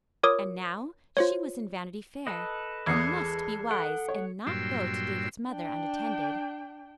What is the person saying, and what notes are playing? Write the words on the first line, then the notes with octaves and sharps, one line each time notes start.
And now she was in "Vanity Fair," and must be wise and not go to David's mother unattended.
F4 A#4 C#5 D6 D#6
F4 C5 C#5
A4 B4 D#5
E2 E3 G#3 D#6 G#6 C7 C#7
A4 F#5
C#5
G2 A#2 F#3 G5 C6 E6
D4 G5